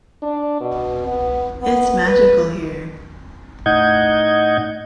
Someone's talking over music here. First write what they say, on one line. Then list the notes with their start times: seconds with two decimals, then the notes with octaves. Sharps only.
It's magical here...
0.22 D4
0.60 B2
1.07 B3
1.61 B3
2.07 B4
3.66 A2 D#4 D#5 F#5 G6 G#6